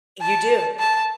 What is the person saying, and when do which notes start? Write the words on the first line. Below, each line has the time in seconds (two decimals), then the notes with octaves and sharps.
You do.
0.21 A5
0.79 A5